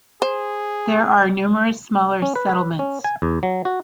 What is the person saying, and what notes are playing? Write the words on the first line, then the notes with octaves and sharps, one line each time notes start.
There are numerous smaller settlements.
G#4 C5
C#4
B4
B4
C#4
G#5
E2
F#3
F#4